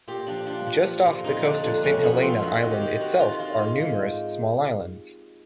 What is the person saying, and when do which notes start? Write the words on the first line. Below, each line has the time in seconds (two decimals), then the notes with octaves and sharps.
Just off the coast of Saint Helena island itself are numerous small islands.
0.08 A#2 G4
0.27 F3 D4
0.46 F3 D4
0.66 F3
0.86 F3
1.05 A#2
1.24 F2 D#4
1.44 D3 D4
1.63 F2 D4
1.83 F2 C#4
2.03 F2 B3
2.22 F3 C4
2.42 D#3 F#4
2.61 D#3
2.71 G4
2.81 D#3
3.00 D#3 F#4
3.19 D#3 F4
3.39 D#3 F4
3.59 G#2
3.79 G#2